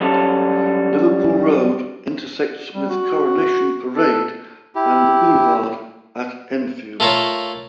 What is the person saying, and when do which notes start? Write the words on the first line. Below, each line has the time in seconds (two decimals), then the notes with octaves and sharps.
Liverpool Road intersects with Coronation Parade and The Boulevarde at Enfield.
0.01 F#2 G3 C#4 A4
2.74 G3
2.90 F#4
3.96 A4
4.75 E4 G4
7.00 A3 F4 A4 A#4 C#5 F5